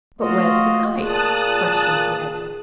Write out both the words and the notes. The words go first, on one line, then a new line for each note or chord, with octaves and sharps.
"But where's the kite?" questioned Ned.
A3 A#3 F4 F#4 D#5
A#2 G#4 A5 D#6 F#6